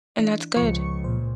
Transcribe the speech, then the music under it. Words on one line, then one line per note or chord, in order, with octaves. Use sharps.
And that's good.
E3 D4
C#2 F3 C#6 C#7
A#2 C5